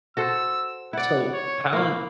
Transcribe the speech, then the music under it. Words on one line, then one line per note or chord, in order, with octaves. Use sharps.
So, Palant
F#4 A4 C5 E6
E4 D5 F#5
C#5
A#3 E4 F5